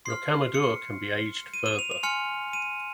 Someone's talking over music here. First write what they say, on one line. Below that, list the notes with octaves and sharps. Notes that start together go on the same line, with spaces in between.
Rocamadour can be aged further.
C6 F6 C7
C#7
D#7
D#7
F7
F7
G#5 C6 F6 C#7
D#7